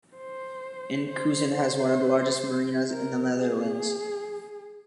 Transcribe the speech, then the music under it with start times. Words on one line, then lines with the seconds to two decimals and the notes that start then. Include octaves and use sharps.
Enkhuizen has one of the largest marinas in the Netherlands.
0.16 C5
1.08 C5
1.54 C5
2.91 A#4
3.37 G#4